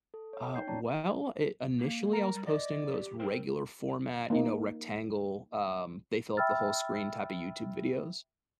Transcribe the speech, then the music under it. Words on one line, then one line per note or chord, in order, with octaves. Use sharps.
Uh, well, i initially I was posting those regular format, you know, rectangle, um, they fill up the whole screen type of YouTube videos.
A4
C#5
D#4 G5 G6 C7
C#4 D#4 C#5 D5 A5 A#5
A#3
A#4
G3
D5 D#5
G4
C4 A#4
A#3 D#4
E5 G5 B5 E6 F6 A6